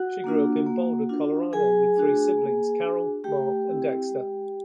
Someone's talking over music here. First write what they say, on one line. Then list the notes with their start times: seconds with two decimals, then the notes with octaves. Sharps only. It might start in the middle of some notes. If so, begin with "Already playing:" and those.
She grew up in Boulder, Colorado, with three siblings: Carol, Mark and Dexter.
Already playing: F#4 F#5
0.24 A#3 D4 F4
0.67 A#3
1.09 D4 F4
1.53 F#3 G#4 G#5
1.95 A3 D4 F#4
2.38 A#3
2.80 D4 F#4
3.24 A3 G4 G5
3.67 C4 E4
4.09 G#3